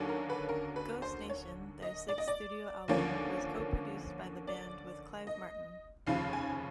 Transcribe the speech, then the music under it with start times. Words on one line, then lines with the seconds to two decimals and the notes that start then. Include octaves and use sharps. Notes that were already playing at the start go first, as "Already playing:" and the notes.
"Ghost Nation", their sixth studio album, was co-produced by the band with Clive Martin.
Already playing: D#2 D3 F#3 A#3 C#4
0.09 A#4
0.30 B4
0.49 A#4
0.76 B4
1.02 C5
1.30 C#5
1.82 D#5
2.08 D5
2.18 D#5
2.28 D5
2.88 D#2 D3 F3 A#3 C#4
4.47 D5
5.27 D#5
6.07 F1 D#2 C#3 F3 F5
6.33 G#5